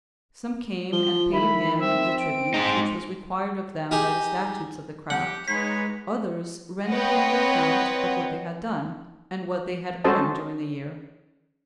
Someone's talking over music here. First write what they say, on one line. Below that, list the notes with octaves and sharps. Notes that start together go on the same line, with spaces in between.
Some came and paid him the tribute which was required of them by the statutes of the craft; others rendered him an account of what they had done, and what they had earned during the year.
F3 G7
D#3 E4 B5
C4 E5
D7
G#2 D#4 C5
D#4 G4 G#4
G4 F#5
G#3 D#4 B4 C#5 B6
C4 B4 C#5 D#5 F#5 G5
C#4 F#4 A4 C5 D#5 A5